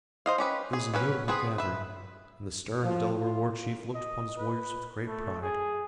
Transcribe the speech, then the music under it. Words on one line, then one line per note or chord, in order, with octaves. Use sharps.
It was a notable gathering, and the stern Delaware war-chief looked upon his warriors with great pride.
C5 D#5 F5
C#4 G4 B4
G#4
F#3 C#4 B4
B3 C4 G#4 B4
B4 E5
F3
F4
D#5
B4
A3
G#4